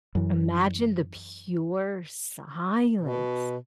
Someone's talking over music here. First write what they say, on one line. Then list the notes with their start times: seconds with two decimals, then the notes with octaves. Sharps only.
Imagine the pure silence.
0.15 F#2 E3
3.01 B2